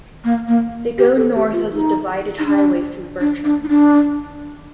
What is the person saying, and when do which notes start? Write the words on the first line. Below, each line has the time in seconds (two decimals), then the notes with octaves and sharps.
They go north as a divided highway through Bertram.
0.24 A#3
0.48 A#3
0.98 G4
1.17 A4
1.35 G4
1.53 F4
1.72 D#4
2.39 D#4
2.46 D4
3.20 D4
3.44 D4
3.64 D#4
3.69 D4